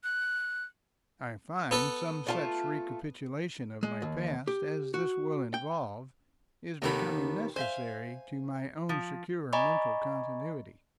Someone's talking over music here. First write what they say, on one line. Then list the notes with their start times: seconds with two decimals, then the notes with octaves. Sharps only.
I find some such recapitulation of my past as this will involve, is becoming necessary to my own secure mental continuity.
0.04 F#6
1.71 B3 A4 B4
2.27 A3 F4 A5
3.83 G#3
4.02 D#2
4.47 G4
4.94 F#4
5.54 G5
6.82 D#2 C3 D#3 B3 A4 B4
7.56 C5 E5 F5 G#5
8.89 F3
9.53 D5 D#5 G#5 A#5 B5 C#6